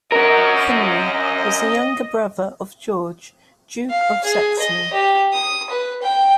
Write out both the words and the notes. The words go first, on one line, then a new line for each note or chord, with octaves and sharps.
Henry was the younger brother of George, Duke of Saxony.
C#4 A#4 D#5
F5
G#4
D#5
G4
D#6
B4
G5